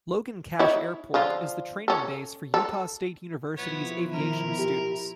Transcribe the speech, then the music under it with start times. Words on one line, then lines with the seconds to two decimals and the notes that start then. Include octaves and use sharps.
Logan-Cache Airport is the training base for Utah State University's aviation students.
0.59 D#4 E4 C#5
1.14 D3 F3 F4
1.88 C#4 A4
2.54 A4
3.57 B2 F3 B3 E4 C#5
4.14 D#3 A#4
4.59 G4